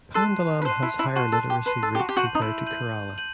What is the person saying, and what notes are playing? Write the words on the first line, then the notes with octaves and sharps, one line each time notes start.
Pandalam has higher literacy rate compared to Kerala.
A4 A5 C6 F#6 C7 D#7
B4
C5 A5 C6 F#6 C7 D#7
E4
E4
F#4 A5 C6 F#6 C7 D#7
A4
G4
B4 A5 C6 F#6 C7 D#7
A4
G4
F#4
G4
F#4 G6 D#7 F#7
D#4
E4
G6 D#7 F#7
G6 D#7 F#7